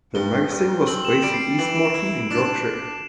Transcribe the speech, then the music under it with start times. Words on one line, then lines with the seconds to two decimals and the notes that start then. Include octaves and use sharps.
The magazine was based in East Morton in Yorkshire.
0.15 G2 G7
0.51 G2
0.87 C4 F#7
1.00 F#7
1.05 E7
1.23 G3 D7
1.34 C7
1.41 D7
1.59 E3 F#7
1.67 E7
1.76 D7
1.84 E7
1.94 E4 D7
2.30 D4 E7